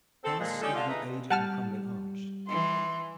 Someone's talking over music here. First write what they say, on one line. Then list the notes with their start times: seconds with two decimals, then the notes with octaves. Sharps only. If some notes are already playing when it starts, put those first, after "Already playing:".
Pass under the aged and crumbling arch.
0.23 C4 A4
0.39 A#2 G#3
0.62 C#4 D#4 G4 A4 D5
0.73 D3 F4
0.87 D#4 E4 G#4 B4
1.30 G3 F#5 A5 F6
2.49 E3 C6